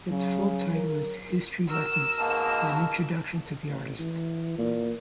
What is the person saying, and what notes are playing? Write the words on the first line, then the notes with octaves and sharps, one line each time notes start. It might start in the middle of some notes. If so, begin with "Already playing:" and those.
Its full title is "History Lessens - An Introduction to the Artist".
C#3 F#3
A#4
F#4 A#4 E6
G#2 B2 A#3 A5
A1
E3
A#2